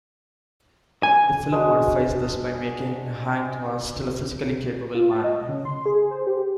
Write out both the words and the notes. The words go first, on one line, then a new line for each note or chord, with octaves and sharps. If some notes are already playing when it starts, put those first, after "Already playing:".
The film modifies this by making Hang Tuah still a physically capable man.
G#5
G#3 D4 F#4
F4
A5
D#5
C#3
C6
G#4
C5
G4